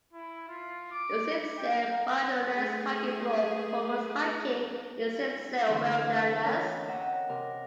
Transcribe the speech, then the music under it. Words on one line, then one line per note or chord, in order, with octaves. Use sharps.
The Sipsey Wilderness Hiking Club promotes hiking in the Sipsey Wilderness.
E4
F4
D6
G5
A#4
A3 G#4
E4
D2 E3 C4
C#4 A#4 D#5 F5 B5 D6
C#4 D#5 E5 F#5 G5 A#5
C3 A#4